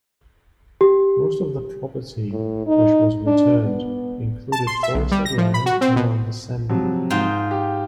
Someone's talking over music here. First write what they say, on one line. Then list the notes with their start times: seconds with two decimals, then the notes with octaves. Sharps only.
Most of the property which was returned included forested land around the seminary.
0.81 G4
2.32 A2
2.67 D#4
3.27 D4
3.65 B3
4.52 A5
4.67 C6
4.83 E5
4.94 B1
5.11 G3
5.25 A#6
5.38 F3
5.54 B5
5.66 F#4
5.81 C4
5.96 B2
6.69 C3 F3 F#3
7.10 G#2 F4 G5
7.51 G4